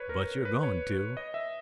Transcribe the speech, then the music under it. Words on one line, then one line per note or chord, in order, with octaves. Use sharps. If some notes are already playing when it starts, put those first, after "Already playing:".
"But you're going to?"
Already playing: B4 C#5
A#4
B4
C#5
D#5
E5